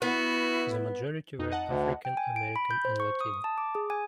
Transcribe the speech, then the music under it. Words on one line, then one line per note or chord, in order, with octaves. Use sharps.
The majority were African American and Latino.
B3 E4 F#4
F2 D#4
D#5 F#5 A5
D2
G5
G#5
D7
B5
G6
C5
C#6
D#6
A5
D6
G#4
G#5